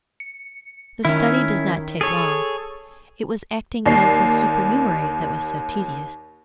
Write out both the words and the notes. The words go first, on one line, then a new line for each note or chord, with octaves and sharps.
"The study does not take long; it was acting as a supernumerary that was so tedious."
C#7
D#3 C#4 E4
G#4 A4 C#5
D#2 D5 C7